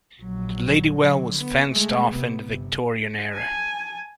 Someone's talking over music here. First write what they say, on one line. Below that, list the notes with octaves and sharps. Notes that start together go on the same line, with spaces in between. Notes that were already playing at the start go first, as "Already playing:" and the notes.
The Ladywell was fenced off in the Victorian era.
A#1 F#3
D3 F#3
B3
G#3 A3
C3 B3
G1 C3
G#5 A5